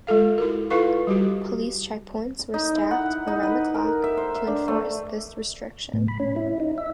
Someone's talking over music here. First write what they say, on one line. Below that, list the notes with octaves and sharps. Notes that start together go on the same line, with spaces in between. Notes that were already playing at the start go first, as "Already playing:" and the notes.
Police checkpoints were staffed around the clock to enforce this restriction.
G#3 F4 A4 F5
E4 F#4 A#4
E4 F4 A4 B4 F5 C#6
G3 F#4 G4
D#4
E4
F#5
D#4
B4
A#4
E5
C5
E5
D4
A3
A2
B5
C#4
E4
D#4
E5